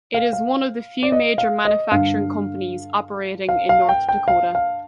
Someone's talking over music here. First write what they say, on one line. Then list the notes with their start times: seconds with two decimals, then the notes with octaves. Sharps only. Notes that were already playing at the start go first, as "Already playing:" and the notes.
It is one of the few major manufacturing companies operating in North Dakota.
0.14 F5
0.33 F5
1.03 D5
1.12 D#5
1.38 F5
1.65 D#5
1.91 G2 D3 F5
3.49 F5
3.69 F5
3.89 G5
4.09 G5
4.28 F5
4.55 F5